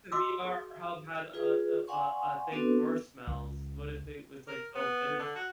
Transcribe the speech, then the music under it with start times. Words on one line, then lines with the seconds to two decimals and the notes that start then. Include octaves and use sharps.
if the VR hub had, uh, uh, uh, a thing for smells? What if it was, like, built in?
0.12 F#4 D#5 C6 D6 E6
0.45 G#4
1.34 F4 G#4 B4
1.87 D5 F5 F#5 G#5 C6 C#6
2.52 B3 C4 D4 F#4 A4 B4
3.27 C#2
4.48 A#4
4.75 B3
5.19 D3
5.36 F#4